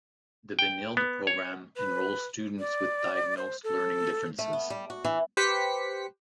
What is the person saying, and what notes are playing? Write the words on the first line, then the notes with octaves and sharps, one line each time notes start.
The Benilde Program enrolls students with diagnosed learning differences.
G5
B3
C#5
B4
D5
C5
A4
A3
B3
G3
F#4
E3
G4 B4 C5 B6 C#7